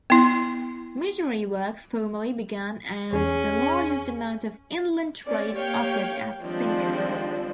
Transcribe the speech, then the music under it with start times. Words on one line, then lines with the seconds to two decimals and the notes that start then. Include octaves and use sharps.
Missionary work formally began and the largest amount of inland trade occurred at Sinkan.
0.10 B3 E4
3.13 E2 C#4 G#4
5.25 C4 C#4 D5
5.54 A#3 G4 C#5 F5 G5
6.42 D#3 F3 G3 G#3 C4 D4